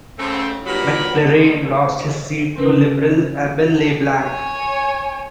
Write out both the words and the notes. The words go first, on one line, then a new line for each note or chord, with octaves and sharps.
McFarlane lost his seat to Liberal Abel LeBlanc.
C#3 A3 C4
G2 A#2 F#3 G4 A#4 B5
C#3 F3 C#4 A#4 B4
C#5 G#5